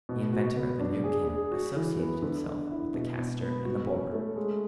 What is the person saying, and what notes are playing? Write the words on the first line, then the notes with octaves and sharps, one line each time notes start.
The inventor of a new cannon associated himself with the caster and the borer.
B2
F#4
B3
D4
G#4
G#4
F#4
E3
B3
D3
D3
E4
B2
B2
B3
F#4
C#4
A3
G#3